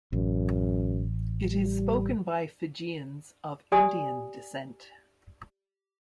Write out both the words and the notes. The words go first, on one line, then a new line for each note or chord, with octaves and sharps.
It is spoken by Fijians of Indian descent.
A1 F#2
G3
G4 D5 G#5 D#6